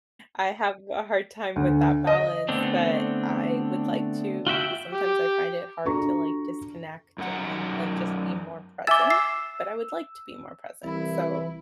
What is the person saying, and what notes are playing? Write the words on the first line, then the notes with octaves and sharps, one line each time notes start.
I have a hard time with that balance, but I would like to because sometimes I find it hard to, like, disconnect and, like, just be more present, but I would like to be more present. So,
D2
D#5
D3 A3 B3 C4 D4
F4 F#4 E5 G5
G4
D4 F4 F#4 A4 A#5 C#6
F#2 D#4 F#5
E5 G#5 D6 E6 A6
E6 C7
C2 E3 E4